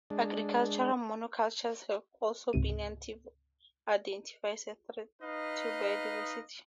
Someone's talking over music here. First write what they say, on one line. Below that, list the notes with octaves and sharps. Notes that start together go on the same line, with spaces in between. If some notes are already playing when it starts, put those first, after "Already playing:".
Agricultural monocultures have also been identified as a threat to biodiversity.
G#3 D4
C#2 G#2 C3 D#7
D#4 B4 D#5 F5